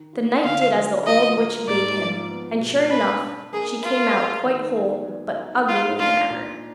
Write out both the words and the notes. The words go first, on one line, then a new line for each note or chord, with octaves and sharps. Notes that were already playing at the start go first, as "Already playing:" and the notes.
The knight did as the old witch bade him, and, sure enough, she came out quite whole, but uglier than ever.
Already playing: D#3
F4
D3 F5
F#3
F4 D#5
A#3
G#2 D5
F3
B3
B2
D4 B4
D4
A#3 G#4
A#3 F4
G#4
D#3
B3
F#3
D#4
D#4 F4
D4 F4
A#2